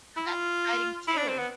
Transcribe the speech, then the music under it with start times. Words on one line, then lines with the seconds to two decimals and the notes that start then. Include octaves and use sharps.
So, that's exciting too.
0.17 E4
0.27 F4
1.08 E4
1.17 D4
1.28 C4
1.38 B3